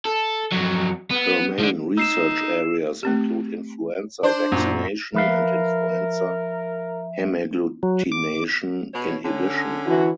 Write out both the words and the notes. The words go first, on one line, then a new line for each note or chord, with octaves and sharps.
Her main research areas include influenza vaccination and influenza hemagglutination inhibition.
A4
F2 F#3
B3
D3 F3
D#4 E6 C7 E7
A3 C4 G4
D4 C5
F#2 A#2
F3 A#4 B4 E5 F5
F#3
D6
B2 C#5
D3 C#4
E3 E4 F#4